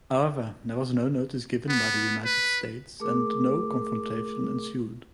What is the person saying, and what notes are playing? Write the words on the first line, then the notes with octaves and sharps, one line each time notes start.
However, there was no notice given by the United States and no confrontation ensued.
B3
B4
A3 G#4 A#4 D6